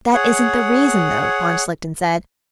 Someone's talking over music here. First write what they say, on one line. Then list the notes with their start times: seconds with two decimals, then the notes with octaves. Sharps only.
"That isn't the reason, though," von Schlichten said.
0.14 G#4 C#5 F#5